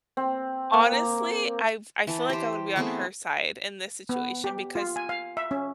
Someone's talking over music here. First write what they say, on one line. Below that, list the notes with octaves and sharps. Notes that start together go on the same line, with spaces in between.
Honestly, I f I feel like I would be on her side in this situation, because
C4
A#3
A#5
E3 A5
G4 C5
A3 B3 C4 G#4
B3
G4
F4
G#5
F5
E5
C#4